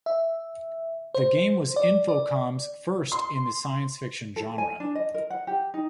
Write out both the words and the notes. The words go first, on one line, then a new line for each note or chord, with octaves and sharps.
The game was Infocom's first in the science fiction genre.
E5
C5
D5
D5
C6
A4
G#5
D4
D#5
A#4
F#5
G4
D#4